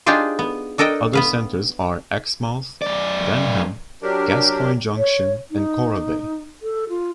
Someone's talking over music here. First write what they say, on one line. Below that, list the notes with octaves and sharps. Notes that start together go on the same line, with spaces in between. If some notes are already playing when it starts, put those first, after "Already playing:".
Other centres are Exmouth, Denham, Gascoyne Junction and Coral Bay.
D4 D#4 F4 G4 G#4 C5
B3
D4 A4 A#4 D#5 G5
B3 B4 F5
F#2 D5
F#3 D4 G4 A#4
C#5
D#4
A4
F4